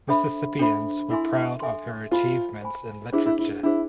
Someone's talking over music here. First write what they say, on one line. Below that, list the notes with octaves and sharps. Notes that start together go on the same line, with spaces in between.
Mississippians were proud of her achievements in literature.
D4 A4 C5 E5 B5
D4 A4 C5 E5 B5
E4 A4 E5 G#5 C6
A4 E5 G#5 C6
F4 C5 G#5 B5
C5 G#5 B5
D4 E4 G#4 C5
E4
E4
D4 E4 G#4 C5